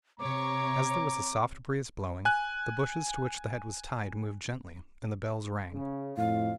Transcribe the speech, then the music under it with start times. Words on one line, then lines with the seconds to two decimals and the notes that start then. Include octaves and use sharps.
As there was a soft breeze blowing, the bushes to which the head was tied moved gently, and the bells rang.
0.19 C3 C#5 A#5 D6
2.25 G#5 F#6
5.72 C#3
6.17 F2 A2 F5